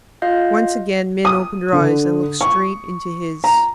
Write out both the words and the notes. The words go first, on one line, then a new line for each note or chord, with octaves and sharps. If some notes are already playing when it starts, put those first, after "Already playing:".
Once again Min opened her eyes and looked straight into his.
F4 D#5 F5 G6
D#6
D3
C#6
A#5